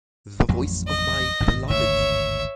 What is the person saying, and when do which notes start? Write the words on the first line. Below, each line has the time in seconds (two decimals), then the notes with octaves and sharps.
The voice of my beloved!
0.49 A1 F2 F#3
0.88 D#5
1.40 G#1 G2 A#2
1.70 G#1 D2 G2 C#5 E5